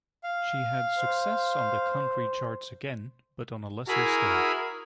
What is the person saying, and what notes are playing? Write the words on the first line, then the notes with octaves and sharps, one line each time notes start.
She had success on the country charts again, but on a lesser scale.
F5
C5
E4 F#4 G#4 A#4 B5